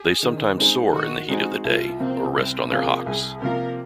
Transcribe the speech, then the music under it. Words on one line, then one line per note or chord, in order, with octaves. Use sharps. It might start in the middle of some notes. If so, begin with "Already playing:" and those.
They sometimes soar in the heat of the day or rest on their hocks.
Already playing: G#4
D#3
G#3 C4 D#4 G#4
D#3 F#4
G#3 C4 D#4 F#4 G#4
C2 F4
C3 F3 A#3 C4
C2 C4
C3 F3 A#3 G#4
C2 G#4
C3 F3 A#3 A#4